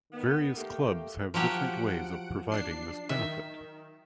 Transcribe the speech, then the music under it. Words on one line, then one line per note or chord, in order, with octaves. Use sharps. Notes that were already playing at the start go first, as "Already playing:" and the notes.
Various clubs have different ways of providing this benefit.
D#3 B3
A3 A#3 G4
F3 F#3 G4 F#5 D7
D4 C7
D#3 E5